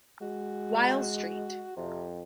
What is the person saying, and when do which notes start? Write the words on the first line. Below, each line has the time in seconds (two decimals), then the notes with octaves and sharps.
While St.
0.22 G#3 F#4
1.77 F2 C3